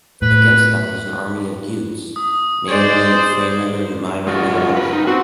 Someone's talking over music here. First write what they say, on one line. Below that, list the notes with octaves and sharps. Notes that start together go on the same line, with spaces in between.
Against them was an army of Gutes, mainly freemen and minor nobles.
A2 B4
D#6
G#3 C5 D5 G#6
G#3 F4 F#4
A#4 B4
D#4
C4 F#4